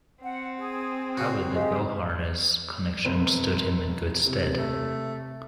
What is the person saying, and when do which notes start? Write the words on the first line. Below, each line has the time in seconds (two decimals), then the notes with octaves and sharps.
However, the Beauharnois connection stood him in good stead.
0.23 C4 F#5
0.58 G#4
1.17 C#3 F#4
1.55 G#3 G4 F5
3.05 E1 C4 B4
4.26 C3
4.58 A3